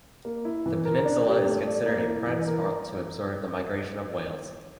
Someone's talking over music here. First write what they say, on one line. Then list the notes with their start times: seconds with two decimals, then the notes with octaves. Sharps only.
The peninsula is considered a prime spot to observe the migration of whales.
0.25 A#3
0.45 E4
0.66 E3
0.85 A#4
1.05 D4
1.26 G4
1.46 A3
1.67 D5
1.86 A#3
2.07 E4
2.27 E3
2.47 A#4